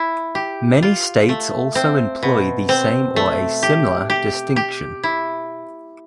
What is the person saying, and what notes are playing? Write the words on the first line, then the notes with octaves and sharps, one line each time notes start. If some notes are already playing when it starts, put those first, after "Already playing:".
Many states also employ the same or a similar distinction.
Already playing: E4
G4
F4
A3
C4
B2
C4
A3
G4
G4
G4
E4